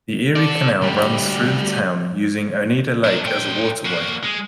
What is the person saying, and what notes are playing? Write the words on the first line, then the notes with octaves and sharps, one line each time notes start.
The Erie Canal, runs through the town, using Oneida Lake as a waterway.
A4 D5
D2 G3
D4 A#4
A#2 G5
A#3 F#4
G#3